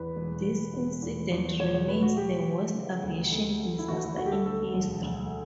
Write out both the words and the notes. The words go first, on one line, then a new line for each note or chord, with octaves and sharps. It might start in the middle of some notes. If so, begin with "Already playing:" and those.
This incident remains the worst aviation disaster in history.
Already playing: E2 B4
E1
E1
E1
E2
E2
E1 C#5
C#5
E1 B4
F#4
F#3 G4
F#3
C#3
D2
D2
F#3
E4
D2 F#4
E4
D2 F#4
G4
A4
D2 A4
E1
D2